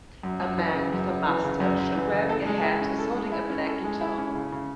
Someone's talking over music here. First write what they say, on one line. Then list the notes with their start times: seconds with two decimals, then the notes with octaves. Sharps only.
A man with a mustache and wearing a hat is holding a black guitar.
0.23 F#2
0.40 F#2
0.57 E3
0.75 C#3
0.92 F#2
1.09 F#2
1.27 E3
1.44 C#3
1.60 F#2
1.78 F#2
1.95 E3
2.12 C#3
2.29 A4
2.46 G#3
2.64 E4
2.81 C#4
2.98 A4
3.15 G#3
3.32 E4
3.50 C#4
3.66 A4
3.84 G#3
4.01 E4
4.18 C#4
4.35 C#3
4.52 C#3